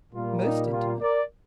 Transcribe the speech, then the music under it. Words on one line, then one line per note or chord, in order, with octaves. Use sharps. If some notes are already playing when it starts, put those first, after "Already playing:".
"Most intimate."
A#2 G3 A#3 F4
D#4
F4
A#4 D5